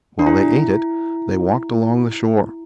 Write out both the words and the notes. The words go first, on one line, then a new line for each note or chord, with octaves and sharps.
While they ate it, they walked along the shore.
D4
E4